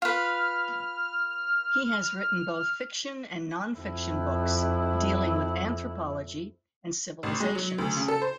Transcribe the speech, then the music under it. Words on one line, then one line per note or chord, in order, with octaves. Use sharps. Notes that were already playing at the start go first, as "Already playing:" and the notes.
He has written both fiction and non-fiction books dealing with anthropology and civilizations.
F4 B4 F6
F2 E4
A1
G#3
F#3
D2
C#3
A4
C5